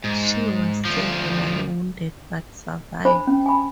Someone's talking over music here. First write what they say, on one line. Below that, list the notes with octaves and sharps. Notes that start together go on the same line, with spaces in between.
She was severely wounded, but survived.
G#2
D2 F3
D4 C5 B5
C#4
G#5 B5